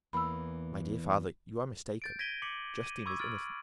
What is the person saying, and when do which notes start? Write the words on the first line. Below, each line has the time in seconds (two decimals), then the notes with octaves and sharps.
"My dear father, you are mistaken; Justine is innocent."
0.13 E2 E3 A#3 B5 E6
2.02 G6 A6 D7
2.19 G#6 A#6 B6 D7 D#7 G7
2.42 D6 B6 C#7 D7 F#7
2.83 D#7
3.05 B5 C#6 D6 E6 G#6
3.19 F6 A6 D7 F#7